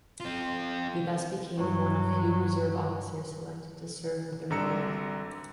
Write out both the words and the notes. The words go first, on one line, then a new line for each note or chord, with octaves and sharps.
He thus became one of few reserve officers selected to serve with the regulars.
C4 F4
G2 F#3
G#1 D3 G3 A#5 E6 C#7